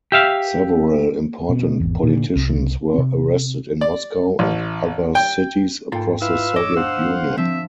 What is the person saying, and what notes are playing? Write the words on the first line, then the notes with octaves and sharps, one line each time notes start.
Several important politicians were arrested in Moscow and other cities across the Soviet Union.
G4 E5 F5
B2
G#1 E2
A#2 D3
C2
C3 C4
D5
A1
G5
G#2 A#3 F4 A4 G5
E4 F4 B4 F5 E6
C#5 D#5 D6
D4 C5 F5 F#5 D6
F3 C4 E5 A5 D7